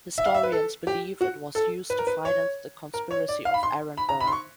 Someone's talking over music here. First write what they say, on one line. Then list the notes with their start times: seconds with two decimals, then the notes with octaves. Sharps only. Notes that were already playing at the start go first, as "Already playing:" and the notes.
Historians believe it was used to finance the conspiracy of Aaron Burr.
0.18 E5
0.26 F5
0.34 E5
0.43 B4
0.52 A4
0.87 G4
1.21 F#4
1.55 A4
1.90 B4
1.98 A#4
2.07 B4
2.25 C#5
2.94 A#4
3.11 C#5
3.28 D5
3.45 F5
3.54 B5
3.63 C6
3.97 B5
4.09 A#5
4.21 B5
4.27 C6
4.32 C#6